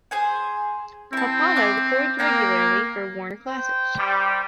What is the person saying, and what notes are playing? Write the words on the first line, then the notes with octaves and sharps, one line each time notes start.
Pappano records regularly for Warner Classics.
G#4 C5 G#5
C4 E4 A5
E5 D6 F#6
A#3 F5 G5 A#5
C5 G5
G3